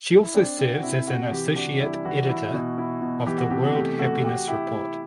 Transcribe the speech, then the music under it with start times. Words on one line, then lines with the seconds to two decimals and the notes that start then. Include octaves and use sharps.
She also serves as an associate editor of the World Happiness Report.
0.22 E4
0.34 C4 D4
0.59 C4
0.74 F#4
0.83 C3 E4
1.07 C3 F#4
1.31 E3 G4
1.56 D4 F#4
1.80 G3 E4
2.05 E3 F#4
2.29 E4
2.54 B2
2.78 E4
3.02 B2
3.26 E3 G4
3.38 F#4
3.50 C3 G4
3.63 F#4
3.75 A3 G4
3.99 A3 F#4
4.24 F#4 G4
4.48 E4 G4
4.72 E4 G4